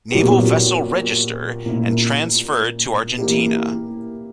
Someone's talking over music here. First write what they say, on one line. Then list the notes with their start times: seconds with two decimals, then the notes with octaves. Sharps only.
Naval Vessel Register, and transferred to Argentina.
0.12 A#2 F#3 B3 E4 G4
1.66 A#2 A#3 E4
3.18 E3 A#3 E4 G4